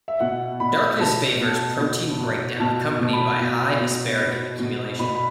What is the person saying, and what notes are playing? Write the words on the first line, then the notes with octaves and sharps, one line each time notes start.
Darkness favors protein breakdown accompanied by high asparagine accumulation.
E5
B2 F#5
B2 B5
B2 A5
B2
B2
B2
B2 A5
B2
B5
B2
B2
B2
B2
B2 B5
B5